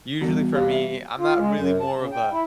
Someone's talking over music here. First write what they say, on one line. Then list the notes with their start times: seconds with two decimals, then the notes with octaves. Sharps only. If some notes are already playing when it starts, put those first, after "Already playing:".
usually for me, I'm not really more of a
0.21 E3 G3 B3 F#4
0.53 G4 D5 F5
0.71 E5
1.19 F4
1.36 G#3
1.56 F#2
1.80 A5
1.98 C#3
2.12 G5
2.32 E4